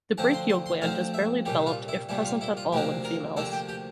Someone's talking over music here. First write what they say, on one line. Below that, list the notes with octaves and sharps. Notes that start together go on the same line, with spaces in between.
The brachial gland is barely developed if present at all in females.
D2 D3 F3 C4 A5
C6
C6
C6
D2 D3 F3 C4 F5
E5
C2 A#2 G3 G4
F4
E4
C2 A#2 G3 E4
F4
E4
F4
D2 C3 F3 A#3 D4 G4
A#4
D2 C3 F3 A#3 D4 A4
G4
G4